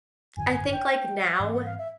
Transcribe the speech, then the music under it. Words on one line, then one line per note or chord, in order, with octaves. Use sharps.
I think, like, now,
G#1 F#2 D3 F#3 G#5
G#5
G5
G#2 E3 G3 C4 F#5
F#5
F5
E5